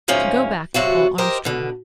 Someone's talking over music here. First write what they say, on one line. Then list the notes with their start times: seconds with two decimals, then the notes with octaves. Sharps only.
To go back to Paul Armstrong.
0.08 D2 G#2 F3 A#3 C#4
0.74 C3 F#3 F4 F#4
1.18 G4 A#4 C5 D#5
1.45 B2 D3